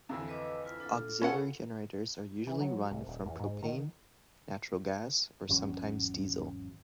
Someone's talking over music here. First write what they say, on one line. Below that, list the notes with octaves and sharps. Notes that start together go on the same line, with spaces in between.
Auxiliary generators are usually run from propane, natural gas, or sometimes diesel.
F2 D3 E3
B4 D#5 D6
E4 F4 B4
D4 F4 A4
C#4 F4 A4 B4 F#5
E3
F#3
C2
D#1
E2
G#2
D#3
G#1 E2 F#3 C#4